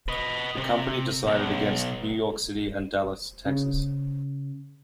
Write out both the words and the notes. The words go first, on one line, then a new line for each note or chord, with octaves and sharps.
The company decided against New York City and Dallas, Texas.
B4 D#5
C3
B1
C#3